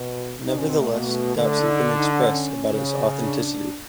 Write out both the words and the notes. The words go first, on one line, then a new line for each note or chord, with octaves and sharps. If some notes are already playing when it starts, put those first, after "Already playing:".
Nevertheless, doubts have been expressed about its authenticity.
Already playing: B2
B2 D#4
C#4
C4
A3
B2 A3
A#3
A3
D3
E4
D#4
D4
D#4
D4
C#4
C#3
D4